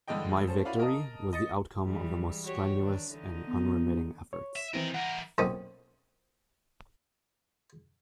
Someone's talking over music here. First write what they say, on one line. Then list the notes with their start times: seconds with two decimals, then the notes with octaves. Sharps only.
My victory was the outcome of the most strenuous and unremitting efforts.
0.08 G2 D3 E3 G#3 D#5 G5
0.47 C#4 A4 C5
0.65 E4 F#4 B4 C#5 D5 F5
0.79 A#4 D#5 A5 D#6
1.33 D#5 D#6 A6 A#6 C#7
1.83 E3 G3 G#3
2.44 F#4 G4 C#5
2.77 D#3 D4
3.12 D3 E3 D#4
3.48 B3
4.33 C#5
4.56 E5
4.74 D#3 E3 C4 E4 A#4
4.94 E3 A#4 F#5
5.38 B1 A#2 C4 C#4 D#4 G5